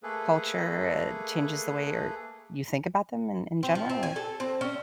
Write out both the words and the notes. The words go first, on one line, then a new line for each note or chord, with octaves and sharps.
culture, uh, changes the way you're you think about them in in general, or
A3 A#3 G#4 A4 B4
C4
F3
C4
G#5
A4
C4
C#4